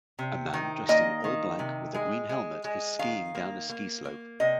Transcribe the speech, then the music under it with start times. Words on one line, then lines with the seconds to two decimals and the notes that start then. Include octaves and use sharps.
A man dressed in all black with a green helmet is skiing down a ski slope.
0.19 C3
0.54 D#3
0.89 A#3 D#5
1.24 D#3
1.59 C3
1.95 G#3
2.29 G#3
2.64 G#3
2.99 D#3 F5
3.35 A#3
3.70 A#3
4.05 A#3
4.40 C3 D#5